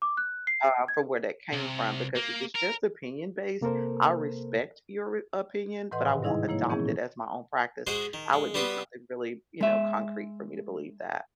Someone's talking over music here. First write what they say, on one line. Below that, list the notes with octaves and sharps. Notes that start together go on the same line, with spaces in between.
uh, for where that came from. Because if it's just opinion based, I respect your opinion, but I won't adopt it as my own practice. I would need something really, you know, concrete for me to believe that.
D6
F#6
C7
G#6
C2
A#3
A#4
C3 A#3 A4 A#4 C5
A2 E3 B4 D#5 F#5 C6
G#2 C3 D#3
G3 G#3 D#4 E4 G#4 D#5
F3 A#3 E4 C#5
A#2 E3 B3 C#4 E4 G#4
G#3 F#4 G#4 C5 D#5
D#3
G#3
G3 B3 F#4 B4 C6 D#6
G#3 E5